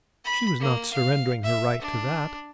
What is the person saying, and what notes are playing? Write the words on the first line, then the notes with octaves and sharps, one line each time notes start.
She was not surrendering her right to that.
B5
A#3
F5
E5
D4